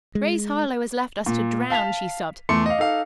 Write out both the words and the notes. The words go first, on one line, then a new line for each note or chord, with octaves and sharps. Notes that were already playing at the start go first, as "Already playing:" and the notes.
"Grace Harlowe has left us to drown," she sobbed.
G#3
A#2
F5 A5 B6 F7
E2 A3 C6 D6 C#7
D#5 F5
D#4 A4 F5